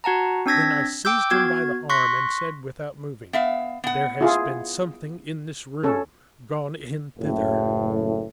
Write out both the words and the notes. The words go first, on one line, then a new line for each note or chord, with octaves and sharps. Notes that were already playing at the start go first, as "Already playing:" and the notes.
Then I seized him by the arm, and said without moving: "There has been something in this room--gone in thither."
F#4 F#5 A5 A#5
C4 D4 E6 G#6 A#6 B6
G5 D6 E6 G6
B3 F#4 G#6
C6 C#6 F#6 A#6 B6
B3 E5 F5
B3 F#5
E4 F4 G#4
C#4 A4
F#1 A2